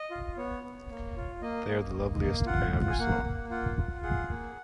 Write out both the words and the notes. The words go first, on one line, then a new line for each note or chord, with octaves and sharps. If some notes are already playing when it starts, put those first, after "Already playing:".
They are the loveliest I ever saw.
Already playing: D#5
F4
B3 C#5
B3
A#3
F4
A#3 D#5
A#3
A#3
A#3
F4 F#5
F4
G#5
A#3 F#5
A#3
F4 F#5
F4
G#4 F#5
A#3